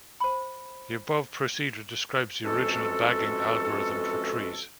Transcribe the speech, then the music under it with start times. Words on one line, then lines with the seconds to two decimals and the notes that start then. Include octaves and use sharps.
The above procedure describes the original bagging algorithm for trees.
0.20 C5 B5
2.44 F2 E3 G#3 C#4 F#4 A4